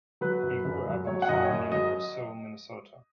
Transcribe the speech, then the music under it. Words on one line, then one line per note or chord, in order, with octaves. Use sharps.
He grew up on a farm near Roseau, Minnesota.
F#3 B4
F#2
F#2
F#3
F#3 C#5
F#5
F#2 D#5
C#5
F#2 D#5
F#3 D#5